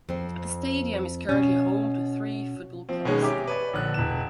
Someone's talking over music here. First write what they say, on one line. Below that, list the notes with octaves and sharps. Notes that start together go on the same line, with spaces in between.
The stadium is currently home to three football clubs.
F2 C4
B2 C#4
F3 C4
B2 D#3 G#3 C#4
G4 E5 G#5 A#5 D6
B4 C#5 D5
A#1 D3 F#6
E1 E3 E7